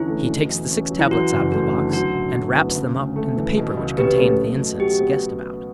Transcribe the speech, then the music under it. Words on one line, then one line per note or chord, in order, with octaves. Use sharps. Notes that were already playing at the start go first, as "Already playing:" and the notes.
He takes the six tablets out of the box, and wraps them up in the paper which contained the incense guessed about.
Already playing: E2 D3 C#4 E4
A3
B2
E2
C#4
F#3
E4
E2 F#4
F#1
A3 F#4
D3
F#3 F#4
A2
F#4
B3
C#3
D2
A3
E3
B2
C#2
C#4 G4 B4
A3
F#3
B2
F#4 G4
B3